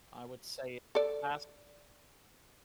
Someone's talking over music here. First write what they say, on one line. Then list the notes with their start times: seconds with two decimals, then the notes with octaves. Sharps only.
I would say it has
0.95 A4 D5